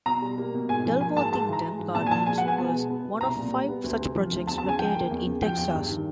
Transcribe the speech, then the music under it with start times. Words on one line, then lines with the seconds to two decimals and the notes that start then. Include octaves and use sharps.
Dalworthington Gardens was one of five such projects located in Texas.
0.06 B2 A#5
0.22 G3
0.38 A#3
0.54 B2
0.69 G#2 G#5
0.85 F3
1.01 A#3 G#5
1.16 G#2 A5
1.32 G#2 A5
1.48 E3 A#5
1.64 G#3
1.79 G#2
1.95 A#2 A5
2.06 G#5
2.11 F3 A5
2.26 G#3 G#5
2.38 F#5
2.43 B3
2.48 G#5
2.58 B2 A5
2.74 G#3
2.89 B3
3.05 B2
3.21 C2 A#5
3.36 A#2
3.53 G3
3.68 B3
3.84 D2
4.01 C3
4.15 F3
4.31 D2
4.47 E2 A5
4.58 A5
4.63 C#3
4.69 G#5
4.78 F3 G5
4.94 A#3
5.11 E2
5.26 C#3
5.41 F3 G5
5.57 E2
5.74 G2
5.88 D#3